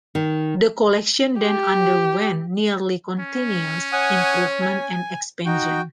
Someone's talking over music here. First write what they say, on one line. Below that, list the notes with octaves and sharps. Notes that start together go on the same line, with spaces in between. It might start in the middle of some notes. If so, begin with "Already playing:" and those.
The collection then underwent nearly continuous improvement and expansion.
D#3
G4
C#4
C#5 F#5 G#5 D#6
G#5
D#4 F#4 G5